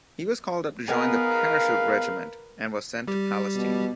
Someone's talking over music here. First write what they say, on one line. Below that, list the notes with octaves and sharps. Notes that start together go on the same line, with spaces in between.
He was called up to join the Parachute Regiment, and was sent to Palestine.
B3 D#4 G#4 A#4 B4 F5
G3 G4
B2